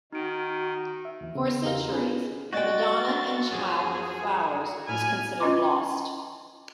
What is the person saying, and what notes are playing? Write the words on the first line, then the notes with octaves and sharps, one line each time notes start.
For centuries, "Madonna and Child with Flowers" was considered lost.
D#3 D#4 F#4 D7
E5
D#2 E3
C#3 B3
E2 G4 A#4 F5
B3 C#4 D4 F4 G#4 B4
G#3 F#4 D5 G5 A6
C4 D4
F#2 F3 G#4
A2 E4 G#5 F6
C#4 F4 D#5 A#5 C6 D6